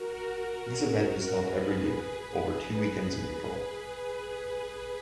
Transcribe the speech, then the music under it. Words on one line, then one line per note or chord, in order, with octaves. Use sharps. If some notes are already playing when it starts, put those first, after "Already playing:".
This event is held every year, over two weekends in April.
Already playing: F#4 A#4
F#4 A#4
G#4 B4
G#4 B4
G#4 B4
G#4 B4